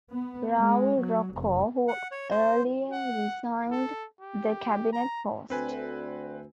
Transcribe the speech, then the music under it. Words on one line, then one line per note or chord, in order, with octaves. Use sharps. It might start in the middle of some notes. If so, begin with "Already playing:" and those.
Raul Roco, who earlier resigned the cabinet post.
B3
G#3
F#3
F1
F#5
C#5
C5
F#5
A4
G4
A#5
D2 C4 B4 G#5